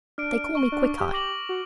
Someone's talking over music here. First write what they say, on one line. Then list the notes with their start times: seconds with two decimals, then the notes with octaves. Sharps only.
They call me Quickeye.'
0.18 D4 F6 D7
0.55 C#6 G7
0.72 D4
1.00 G4
1.13 D6 A#6 F#7
1.49 F#4